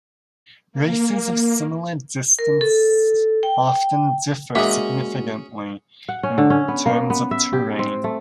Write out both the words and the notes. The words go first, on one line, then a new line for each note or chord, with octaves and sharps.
Races of similar distance often differ significantly in terms of terrain.
A#3
A#4
A4
G5
G#3 A#3 C#4 F#4 G#4 E5 C#6 D6
F#5
C#4
D3
C#4
B3
A#3
B3
E5
G4
C4
A3